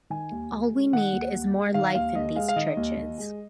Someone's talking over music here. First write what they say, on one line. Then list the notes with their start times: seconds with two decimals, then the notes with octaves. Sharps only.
All we need is more life in these churches...
0.10 D#3 G#5
0.31 D#2
0.51 D#2
0.72 G#3
0.93 D#3 F#5
1.13 D#2
1.34 D#2
1.54 G#3
1.74 D#3 F5
1.95 D#2 F5
2.15 D#2 D#5
2.35 G#3 F5
2.48 F5
2.56 D#3 D#5
2.77 D#2
2.97 D#2
3.18 G#3